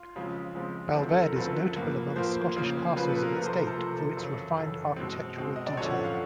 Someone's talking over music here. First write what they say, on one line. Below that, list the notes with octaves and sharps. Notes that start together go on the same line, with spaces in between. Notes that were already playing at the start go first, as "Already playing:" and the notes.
Balvaird is notable among Scottish castles of its date for its refined architectural detail.
Already playing: F4
C#3 F3 G#3 C4
C#3 F3 G#3 C4
F#2 D3 F3 A3 C4 E4
A4
A#4
F#2 D3 F3 A3 C4 B4
A2 F3 A#3
A2 F3 A#3 C5
C#3 F3 A#3
C#3 F3 A#3 B4
A4
A#4
C3 F3 A3 B4
C5
A#4
A4
C3 F3 A3
F#2 C#3 E3
F#2 C#3 E3 A4
B2 G#3 C4
B2 G#3 C4
D#5
D5
F#2 D3 F3 C#5
F#5
F5